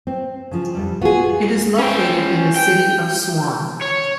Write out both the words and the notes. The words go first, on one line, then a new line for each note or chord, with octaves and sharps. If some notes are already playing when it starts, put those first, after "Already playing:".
It is located in the City of Swan.
C4
C#3 F3
F2 G#2 G3
B3 F4 F#4 G#4
C#4 G5
G5
C#5